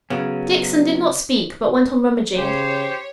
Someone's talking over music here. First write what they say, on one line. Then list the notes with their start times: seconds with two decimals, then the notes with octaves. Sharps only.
Dixon did not speak, but went on rummaging.
0.10 C#3 F#3 B3 C#4
2.37 C#3 G4 C5 C#5